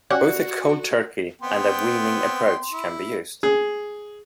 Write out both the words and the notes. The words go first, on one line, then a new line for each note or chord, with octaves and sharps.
Both a "cold turkey" and a "weaning" approach can be used.
C#4 F#4 G4 D5 F#5
B3 C4 G5 C6
E4
G#4